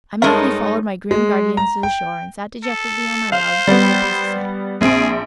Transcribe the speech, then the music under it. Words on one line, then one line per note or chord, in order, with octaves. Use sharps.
I meekly followed my grim guardians to the shore and sat dejectedly on my rug while they paced the sand.
G2 G#3 D#4 A4 A#4 C#5 E5 A5
G#3
A#5
G5
A4
C5 F5
G3 B3
A#1 C4 G#4 D7